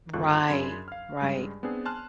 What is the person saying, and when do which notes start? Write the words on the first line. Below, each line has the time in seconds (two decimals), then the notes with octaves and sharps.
Right, right,
0.13 G1 C#2 F4 A4 C#6 F#6
0.48 F#2 C#3 D4 B5 C6 G#6
0.88 F5 F6
1.21 G2 C#3 G3 G#3
1.63 B3 C4 D4 G#4
1.85 G#5 A5 C6 F6 F#6